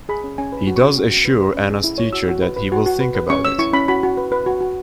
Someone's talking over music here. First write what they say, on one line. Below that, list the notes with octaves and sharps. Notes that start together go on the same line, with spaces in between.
He does assure Ana's teacher that he will think about it.
G#4 B5
C#4
C#4 G#5
B4 B5
F#4
C#4 C#6
F#4
F#4
B4
B4
C#4
G#4
E4
C#5
F#4 E6
F#4
B4
B4
F#4
F#4
B4
B4
C#4 C#6
C#5 E6
E4 C#6
C#4 B5
F#4 B5
F#4
B4
B4
F#4
F#4